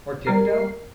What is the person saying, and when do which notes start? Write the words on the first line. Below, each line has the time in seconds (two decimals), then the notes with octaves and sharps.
"Or Tifto?"
0.25 G3 A#4 C7